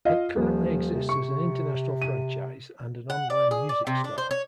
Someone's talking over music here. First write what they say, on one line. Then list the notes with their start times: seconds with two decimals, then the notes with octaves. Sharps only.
It currently exists as an international franchise and an online music store.
0.05 F4 D#5 F5
0.36 D#1 F3
0.94 C3
1.09 C#6
2.02 D#7
3.10 F#5
3.30 D5
3.51 G#4
3.69 D5
3.87 C3
4.04 D4
4.18 C5
4.31 C#5